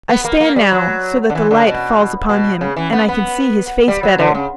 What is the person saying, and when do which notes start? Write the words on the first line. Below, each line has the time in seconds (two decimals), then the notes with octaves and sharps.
I stand now so that the light falls upon him, and I can see his face better.
0.09 B3
0.24 A#3
0.40 A#3
0.56 G3
0.72 F#3
1.30 D3
1.35 E3
1.51 D3
1.66 B2
2.29 B2
2.61 C#3
2.77 E3
2.93 B3
3.09 B3
3.88 G3
4.03 F#3
4.19 D3
4.35 C#3